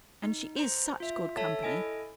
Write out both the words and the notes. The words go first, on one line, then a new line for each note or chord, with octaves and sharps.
And she is such good company.
D#4
C5 A#5
F4 E5
A4 C#5 E5 A5
E4 A4 D#5 G#5 D7